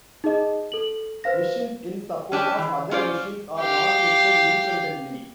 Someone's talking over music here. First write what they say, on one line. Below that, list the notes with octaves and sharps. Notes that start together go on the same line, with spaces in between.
Missions in support of other missions are not listed independently.
D#4 G#4 D#5
A4 F#7
B4 C5 F5 A#6
C#4 D4 G4
E3
C#4 F4 C5 D5
G4 F5